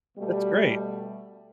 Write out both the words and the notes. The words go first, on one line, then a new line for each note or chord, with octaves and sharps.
That's great.
B2 G3 A3